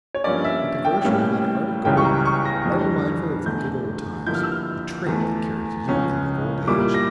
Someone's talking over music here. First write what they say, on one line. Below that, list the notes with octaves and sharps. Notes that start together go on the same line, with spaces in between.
But the grocer had a heart of gold, ever mindful of the good old times--a trait that carries youth into old age.
C#5
G2 F3 A#3 C#4 D5
E5
G5
A2 G3 A#3 C#4
C#2 C#3 E3 G3 C#4 G5
C#6
A#5
C#6
A#6
F2 E3 G3 D4
E2 D3 A3 G6
G2 D3 F3 A#3 E4 G6
F6
E6
F6
E2 E3 A3
C#2 C#3 F3 C#4
A#2 G3 A#3 E4 D6
A#6